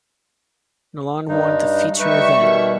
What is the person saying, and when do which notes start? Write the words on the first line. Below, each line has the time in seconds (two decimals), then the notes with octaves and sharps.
Nalon won the feature event.
1.29 G2 D#4
1.99 G3 D#4 B4 E5 C#6
2.41 B2 D#3